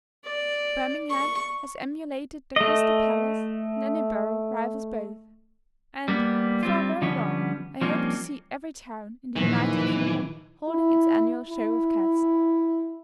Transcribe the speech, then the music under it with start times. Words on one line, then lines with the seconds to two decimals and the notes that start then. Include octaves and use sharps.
Birmingham has emulated the Crystal Palace, and Edinburgh rivals both; and, before very long, I hope to see every town, in the United Kingdom holding its annual show of cats.
0.25 D5
1.09 C#6
2.56 A3 D#5
6.08 G3 A#3 B3
6.63 G3 C4 F4
7.02 D3 F3 G3 B3 C#4
7.81 F3 G3 A#3 C4 C#4 D#4
9.36 F#1 D#2 A#2 E3 F3 A#3 A#6
10.69 E4
11.50 E4